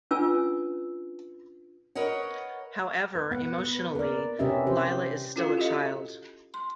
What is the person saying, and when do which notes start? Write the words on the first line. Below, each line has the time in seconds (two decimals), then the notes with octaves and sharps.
However, emotionally Leila is still a child.
0.11 C#4 D4 F4 B4 G#5 E6
1.95 A#4 B4 C#5 D#5 F#5
3.15 B4
3.31 B3 F#5
3.58 B4
3.95 A#4 D5
4.39 C3 C#4 G4 B4 D#5 E5
4.66 E3 G4 C5
5.36 C#4 E4 F4 A4 B4 F5
5.57 F#4 G4 A4 D#5 F5
6.54 C6